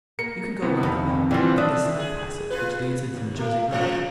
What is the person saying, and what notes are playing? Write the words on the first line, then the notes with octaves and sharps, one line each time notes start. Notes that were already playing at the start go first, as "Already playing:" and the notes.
"You can go round the back through the side passage which leads in from Jersey Road."
A#3 C#7
C3 E3 B3
F2 D#3 B5
D3 E3 G3 C4 F4
D4 E5 D#6 F#6
G#4
F4 G#4 B4
D#2
A3
C#3 E3 F3